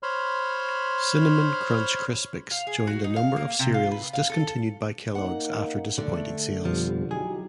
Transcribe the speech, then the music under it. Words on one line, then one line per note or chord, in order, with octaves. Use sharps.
Cinnamon Crunch Crispix joined a number of cereals discontinued by Kellogg's after disappointing sales.
C5 C#5 B5 C6 F6
F5
G#4
F#4
D#4
F5
A#3
C3
F4
B4
F5
A4
A#3 D#4 F#5
D3 A3 D5
F2 B2 F3 G3
F#3 D#4 E4 G4 G#4